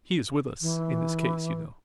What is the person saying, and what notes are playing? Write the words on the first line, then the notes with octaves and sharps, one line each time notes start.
"He is with us in this case, you know."
E3